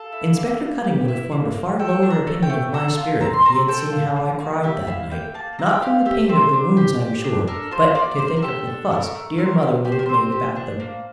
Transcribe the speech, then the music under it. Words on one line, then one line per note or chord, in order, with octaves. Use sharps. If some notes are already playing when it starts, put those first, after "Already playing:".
Inspector Cutting would have formed a far lower opinion of my spirit, if he had seen how I cried that night; not from the pain of the wounds, I am sure, but to think of the fuss dear mother would have made about them.
Already playing: A4 F5
E4
A#3
A#3
G4
E4
A#3
A#3
A4 G5
D4
A#5
A3
G5
A3
A4 A#5
F4
C4 A#5
C6
C4 A#5
A4 G5
F4
A#3
A#3
G4 E5
E4 F5
A#3 G5
A#3 A5
C4 A#5
G5
G4 F5
G4 E5
C4 C5
D4
G4
G4
D4
A4 A#4
F4 C5
A#3 D5
A#3 C5
A#4
G4 A4
D4
A3 A#4
A3
C4 A#4
G4
G4 D5
C5
A#4
C4 C5
G4
D4
A#3